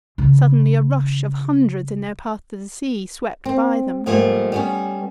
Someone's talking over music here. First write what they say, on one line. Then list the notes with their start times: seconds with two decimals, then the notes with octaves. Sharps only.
Suddenly, a rush of hundreds, in their path to the sea, swept by them.
0.18 C#3 E3
3.45 C4
4.06 G#2 F3 G3 A3 A#3
4.52 G3 B3 C#4